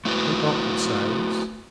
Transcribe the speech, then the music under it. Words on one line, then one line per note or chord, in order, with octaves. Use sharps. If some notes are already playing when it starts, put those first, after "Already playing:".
An awkward silence.
A3 E4 F#4 B4